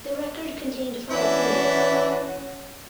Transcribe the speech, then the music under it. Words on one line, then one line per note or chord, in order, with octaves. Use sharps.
The record contained five singles.
E3 C#4 D4 E4 F#4